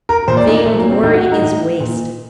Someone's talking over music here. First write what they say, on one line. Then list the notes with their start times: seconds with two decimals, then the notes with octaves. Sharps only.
Vain-glory is waste.
0.09 A#4
0.28 A#2 C5
0.37 D5
0.47 D#4
0.57 A#3
0.65 A#2 A3
0.79 A#3
0.91 C4
1.03 A2 D#4
1.13 F#4
1.24 F#4
1.32 D#4
1.42 A2
1.80 A#2